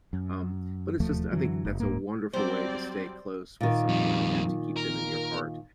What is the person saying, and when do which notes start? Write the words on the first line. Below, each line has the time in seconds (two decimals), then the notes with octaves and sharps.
Um, but it's just I think that's a wonderful way to stay close with someone and to keep them in your heart.
0.13 F#2
1.00 E1 D#2 F3 A3
1.31 F#2 D3 E3 F#3
1.65 F#1
1.80 D1 G#2 A#3
2.33 F#3 G3 C4 C5 D5
3.61 A#2 D#3
3.89 F2 G3
4.77 A#4